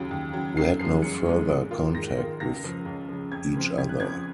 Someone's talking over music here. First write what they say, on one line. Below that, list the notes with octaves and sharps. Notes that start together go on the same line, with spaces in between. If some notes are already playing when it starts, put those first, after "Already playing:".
We had no further contact with each other.
Already playing: D#2 C#3 F#3
D#2
C#3 F#3
F#2 C7
F3 G#3 C7
F#2 C#7
F3 G#3
G#2
D#3 A#3 F4
G#2 A#6
D#3 A#3 F4
C#2 A#6
C#3 F3
C#2
C#3 F3
F2 G#6
C#3 F3 C4
F2 G#6
F#6
C#3 F3 C4 G#6